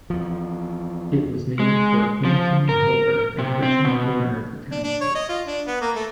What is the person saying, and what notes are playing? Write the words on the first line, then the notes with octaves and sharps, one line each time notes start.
It was named for Anton Halbur, an original owner of the town site.
E2 F3
G#3
F3
A#4
C3
C4
B2
D4
D4
C#5
D#5
F4
D4
B3
A#3
A3